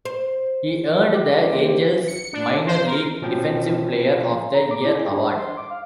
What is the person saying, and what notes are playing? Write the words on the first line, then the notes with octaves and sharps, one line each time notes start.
He earned the Angels' minor league Defensive Player of the Year award.
C5
G4
C3 A#3 G4 C5
C#7
D4
C5
A#4
B2 F3 C#4 G5
A#5
D6
E4
G#4
D4
C5
C6
D6
F5